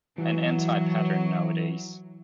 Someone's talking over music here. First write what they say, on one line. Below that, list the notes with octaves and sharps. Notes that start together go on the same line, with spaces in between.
An anti-pattern nowadays.
E3 F#3